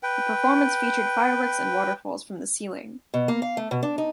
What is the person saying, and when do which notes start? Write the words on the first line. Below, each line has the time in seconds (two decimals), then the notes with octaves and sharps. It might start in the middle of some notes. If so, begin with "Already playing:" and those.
The performance featured fireworks and waterfalls from the ceiling.
0.03 B4 G5
3.14 B2
3.28 A#3
3.42 F5
3.57 A3
3.71 B2
3.83 D4
3.98 D#4